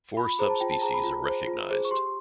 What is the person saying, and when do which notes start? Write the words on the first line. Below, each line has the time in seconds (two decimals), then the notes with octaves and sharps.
Four subspecies are recognized.
0.17 F4 B5
0.28 B5
0.39 G#4 C5 A#5
0.50 A5
0.60 F4 G5
0.71 A5
0.82 G#4 C5 A#5
0.94 B5
1.04 F4
1.26 G#4 C5
1.47 F4
1.70 G#4 C5
1.85 C#6
1.91 G4 C6